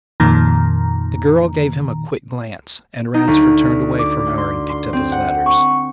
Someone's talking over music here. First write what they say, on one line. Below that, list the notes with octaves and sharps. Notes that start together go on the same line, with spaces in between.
The girl gave him a quick glance, and Ransford turned away from her and picked up his letters.
F2 A#2 D#3 A#5
D#4
D2
D6
C6
C6
C4
F#5
C#6